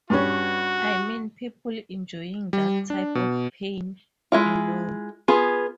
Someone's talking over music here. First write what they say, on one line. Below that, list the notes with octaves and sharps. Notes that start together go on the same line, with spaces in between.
I mean ... people enjoying that type of pain, you know?
G2 G3 C#4 F#4
G3
D4
B2
G#3 E4 F4
B3 F4 G#4